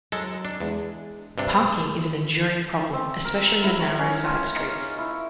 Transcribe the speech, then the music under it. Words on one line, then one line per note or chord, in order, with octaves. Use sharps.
Parking is an enduring problem, especially in the narrow side-streets.
D#2 F#3 G#3 A4
D4
E2 G#3 D4
G2 C3 C4 D4
C4
A#4
A#4
E4
C#5
C#4
F4
D#4
E4